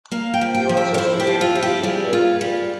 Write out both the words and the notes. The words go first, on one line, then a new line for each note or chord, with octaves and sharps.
He also studied French and German.
A#3 F5
G5
F3
G5
F3
E5
C#5
E4 C5
G4
F3
F4
E4
G4
G3 G#4
F4
G3